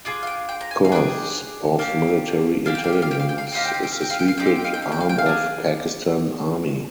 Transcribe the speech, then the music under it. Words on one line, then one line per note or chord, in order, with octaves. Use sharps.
Corps of Military Intelligence is the secret arm of Pakistan Army.
D4 F4 G#4
F5
G5
G5
A#5
G#5
F5
D4 F4 G#4 G5
A#3 D4 G4
A#3 D4 G4 F5
G5
F5
G5
F5
G5
F5
G5
F5
G5
C4 D#4 G4 F5
G5
F5
G5
F5
G5
F5
G5
F5
C4 D#4 G4 G5
F5
G5
F5
G5
F5
G5
F5
G5
F5
D4 G#4